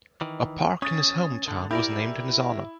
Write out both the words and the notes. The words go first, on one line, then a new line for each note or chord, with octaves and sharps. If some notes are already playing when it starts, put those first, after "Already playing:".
A park in his home town was named in his honour.
D#3 E3
C#4 D#6 A6
D3
E4 G4 A#4 D5